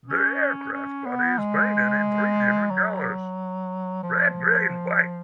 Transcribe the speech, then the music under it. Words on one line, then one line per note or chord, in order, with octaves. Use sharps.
The aircraft body is painted in three different colors red, grey and white.
C#4
C#4
B3
G#3
F#3
F3